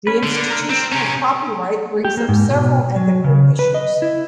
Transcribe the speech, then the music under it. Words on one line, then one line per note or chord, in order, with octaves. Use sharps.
The institution of copyright brings up several ethical issues.
C#4 B4
D3 A#3 B3
A#5 F6
C4
C3 C#4 A#5
G4
A#3
G#2
B2
F#3
C#3
B4
D#5
E4